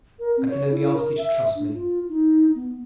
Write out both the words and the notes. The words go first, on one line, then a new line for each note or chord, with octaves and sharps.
I can only ask you to trust me.
A#4
C4
C#5
E4
A#4
E5
D4
F4
D#4
B3